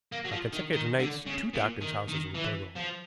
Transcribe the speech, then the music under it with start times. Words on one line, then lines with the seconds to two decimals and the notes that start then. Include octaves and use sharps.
On consecutive nights two doctors' houses were burgled.
0.12 A#3
0.25 F#3
0.32 F3
0.53 D#3
0.73 D#3
0.99 D3
1.26 C#3
1.53 A#2
1.81 D#3
2.08 D#3
2.35 E3
2.76 F3